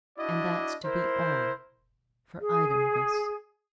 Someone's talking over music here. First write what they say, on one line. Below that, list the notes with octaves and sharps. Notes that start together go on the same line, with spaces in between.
"And that's to be all--for either of us?"
D4 E4 F#4 D5 D#5
E4 A#4 C5
G#4